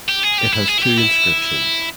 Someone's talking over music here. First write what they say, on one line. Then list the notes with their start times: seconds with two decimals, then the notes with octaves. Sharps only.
It has two inscriptions.
0.08 G4
0.23 G#4
0.38 G4
0.53 E4
0.68 G#4
0.78 E4
0.83 G4
0.98 E4